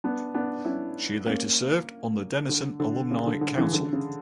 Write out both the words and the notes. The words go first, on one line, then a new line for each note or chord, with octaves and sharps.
She later served on the Denison Alumni Council.
B3 D4
B3 D4
C#4 E4
A#3 C#4
D3
D3
C#3
D3
D3
C#3 E3
D3
C#3